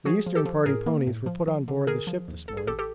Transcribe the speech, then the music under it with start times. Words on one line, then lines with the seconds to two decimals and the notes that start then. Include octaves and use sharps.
The Eastern Party ponies were put on board the ship this morning.
0.05 F3 F#4 G#4
0.26 F3
0.35 G4 A4
0.45 F3
0.66 A2 G#4 A#4
0.86 A#3
1.07 A2
1.26 F3
1.48 F3
1.68 D3
1.87 D3 G#4 A#4
2.07 F3
2.28 D#2
2.48 A1 A4
2.57 G#4
2.67 A1 G4 A4
2.79 G4 A4